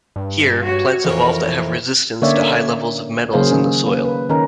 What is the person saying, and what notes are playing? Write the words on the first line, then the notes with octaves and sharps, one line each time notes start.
Here, plants evolve that have resistance to high levels of metals in the soil.
G2
F#4 C#5
F2 E3 C#4 A#4
D3 A#3 C#4 C#5 D5 E5
C#3 F#3 A#3 G#4 C5 F5
D#3 C#4
A#3
B4
D#3 C#4 A#4